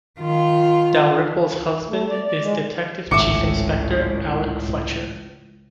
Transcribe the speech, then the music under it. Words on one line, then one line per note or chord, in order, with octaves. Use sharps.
Dalrymple's husband is Detective Chief Inspector Alec Fletcher.
D#3 F4
A3
D5
D5
G#3
G#1 C#2 A2 E5 D6 C#7